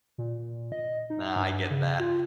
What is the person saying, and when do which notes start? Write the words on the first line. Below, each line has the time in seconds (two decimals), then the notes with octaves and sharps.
No, I get that.
0.18 A#2
0.72 D#5
1.10 D#4
1.36 G2
1.70 C#3
2.00 F4